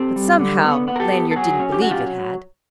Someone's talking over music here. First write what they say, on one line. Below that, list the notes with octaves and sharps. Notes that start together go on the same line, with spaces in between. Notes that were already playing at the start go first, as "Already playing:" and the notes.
But somehow Lanyard didn't believe it had.
Already playing: C4 G4 A4
G3
D3
B3
B3
A#4
G4 A4
B3
A4
F#3 F#4 G#4
C#4
G4
F#3 F#4
F4 G4